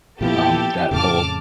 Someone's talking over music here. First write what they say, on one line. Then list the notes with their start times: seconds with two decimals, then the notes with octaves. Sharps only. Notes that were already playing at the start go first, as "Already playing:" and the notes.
um, that whole
0.21 A#2 F3 B3 E4 G4 A4
0.91 F2 A2 C#3 A5 D6 F6